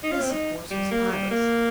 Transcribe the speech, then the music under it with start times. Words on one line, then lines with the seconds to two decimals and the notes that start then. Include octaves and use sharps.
This, of course, was Pybus.
0.03 D#4
0.11 F4
0.21 C4
0.31 D#4
0.71 G3
0.91 A#3
1.11 G3
1.31 A#3